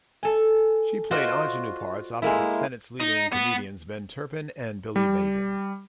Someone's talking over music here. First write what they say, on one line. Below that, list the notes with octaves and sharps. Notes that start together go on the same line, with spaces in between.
She played ingenue parts opposite Sennett's leading comedians, Ben Turpin and Billy Bevan.
A4 G#5
F4 F#4 C5 D5 D#5
G#3 A#3 E4
D#4
B3
G3